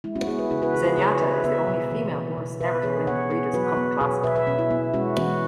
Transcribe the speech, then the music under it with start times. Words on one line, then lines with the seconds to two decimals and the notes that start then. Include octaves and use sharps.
Zenyatta is the only female horse ever to win the Breeders' Cup Classic.
0.04 G#3 E4
0.15 C#4 F#4
0.27 B3 E4 G#4
0.39 F#4 B4
0.50 C#3 E4 G#4
0.62 F#4 B4
0.74 C#3 E4 G#4
0.85 F#4 B4
0.97 C#3 G#4 C#5
1.20 C#3 B4 E5
1.44 B3 B4 E5
1.67 B2
1.91 E3
2.14 E3
2.37 B2
2.61 B2 B4 E5
2.83 E3 G#4 C#5
3.07 B3 C#5 F#5
3.30 B3 G#4 C#5
3.54 F#3 F#4 B4
3.77 B3
4.01 B2 G#4 C#5
4.23 B2 B4 E5
4.36 B4 E5
4.47 B2 C#4
4.59 E4
4.71 B3 E4
4.94 G#3 C#4 F#4
5.17 E3 C#4 F#4